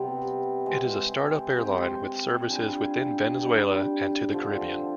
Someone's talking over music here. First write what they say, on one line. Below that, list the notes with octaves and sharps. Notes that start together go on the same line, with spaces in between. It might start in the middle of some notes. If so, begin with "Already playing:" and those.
It is a start-up airline with services within Venezuela and to the Caribbean.
Already playing: C3 G3 B3
G#3 C4 G4
G#3 C4 G4
G3 D4 F4 G#4
G3 D4 G4
D3 F3 C4 F4